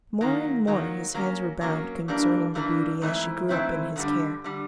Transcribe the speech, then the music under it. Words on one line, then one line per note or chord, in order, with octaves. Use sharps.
More and more his hands were bound concerning the beauty, as she grew up in his care.
D#3 F#3 A#3
D#3 F#3 A#3
F#3 A#3 C#4
F#3 A#3 C#4
G2 E3 G3 A#3 D4
G2 E3 G3 A#3 D4
G#2 E3 A3 C4 E4
G#2 E3 A3 C4 E4
G2 D3 G3
D3 G3